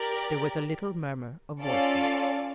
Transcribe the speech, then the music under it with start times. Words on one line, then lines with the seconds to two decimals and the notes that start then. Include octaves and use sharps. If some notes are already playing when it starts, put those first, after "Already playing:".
There was a little murmur of voices.
Already playing: G4 A#4 D5
1.61 C#4 F4 A4 D5 F5